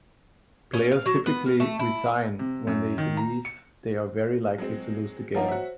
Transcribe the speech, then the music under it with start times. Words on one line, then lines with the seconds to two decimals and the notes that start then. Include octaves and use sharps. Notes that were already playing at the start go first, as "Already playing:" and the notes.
Players typically resign when they believe they are very likely to lose the game.
0.74 C#4
0.91 F5
1.06 F#3
1.26 B3
1.46 A#4
1.60 A3
1.79 E4
2.39 C3
2.67 F#2
2.98 D#3
3.17 A#5
3.45 C#7
4.58 F#3 G#3 C4
5.35 F3 A#3 D#4 C#5 F#5 A#5
5.48 F#4 C5 E5